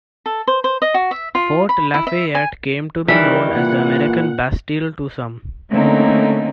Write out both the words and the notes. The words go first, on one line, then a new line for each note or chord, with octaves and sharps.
Fort Lafayette came to be known as the "American Bastille" to some.
A4
C5
C5
D#5
F#4
E5
F4
B5
E4
E5
G#5
D#3 E3 G3 B5
A#2 F#5
D3 A3 A#3 C4 C#4 D#4